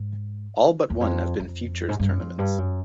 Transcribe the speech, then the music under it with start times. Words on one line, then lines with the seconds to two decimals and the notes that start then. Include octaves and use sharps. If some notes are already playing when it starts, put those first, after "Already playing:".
All but one have been Futures tournaments.
Already playing: G#2
0.90 E2
1.01 F2
1.40 F2
1.89 G#2
2.00 G2
2.09 F#2
2.19 F2
2.38 G2
2.58 F#2